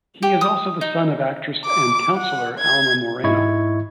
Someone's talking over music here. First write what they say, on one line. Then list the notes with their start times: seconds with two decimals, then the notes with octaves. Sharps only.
He is also the son of actress and councilor Alma Moreno.
0.23 G4
0.41 D#6
0.81 D#4
1.66 D6
2.14 F#5
2.59 G#6
3.24 G#2 E4 D#5 C#6 G#6